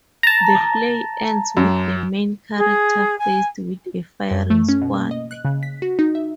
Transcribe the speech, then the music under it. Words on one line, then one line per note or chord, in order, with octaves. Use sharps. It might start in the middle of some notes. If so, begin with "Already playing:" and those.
The play ends with the main character faced with a firing squad.
A5 A#5
F#2
G#4
G#5
F#2
A3
C#4
B2
A#3
D#5
F#6
C#3
B6
F#4
D#4
E5